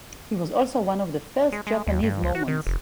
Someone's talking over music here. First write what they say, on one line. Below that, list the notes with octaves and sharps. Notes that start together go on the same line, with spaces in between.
He was also one of the first Japanese Mormons.
G#3
G#3
D#2
G2
C#2
F#4
D#3
F1